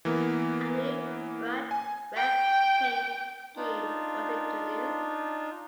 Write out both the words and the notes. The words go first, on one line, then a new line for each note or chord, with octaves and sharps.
A new bright red paint scheme was introduced.
E3 A#3 B3
G#5
G5
D4 D#4 F4